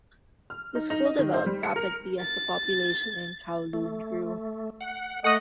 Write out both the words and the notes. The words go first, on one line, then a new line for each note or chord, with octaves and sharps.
The school developed rapidly as the population in Kowloon grew.
F6
D#4
D#4
D#5
D#3
C5
G3
C#7
A#4
A6
A3
F#5
A3 D#5 F#5 D#6